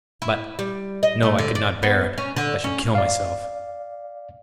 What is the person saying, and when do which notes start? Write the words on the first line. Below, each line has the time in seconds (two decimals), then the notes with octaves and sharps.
But ... no, I could not bear it, I should kill myself.
0.22 E4
0.59 G3
1.03 D#5
1.23 A3
1.39 D3
1.55 D5
1.83 B3
2.18 C#4
2.36 D3
2.64 C#4
2.95 D5 F5